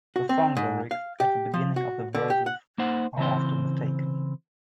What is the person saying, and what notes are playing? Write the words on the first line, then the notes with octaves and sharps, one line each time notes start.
The song's lyrics at the beginning of the verses are often mistaken.
F#4
C4
G#2
F5
G4
F3
F#4
D3
G4
F#5
A#3 D#4 C5 F#5
C#3 E3 C4 C5